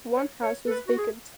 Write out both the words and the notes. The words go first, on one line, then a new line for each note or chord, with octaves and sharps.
One house was vacant.
C#5
C#5
A4
B4
F#4
G#4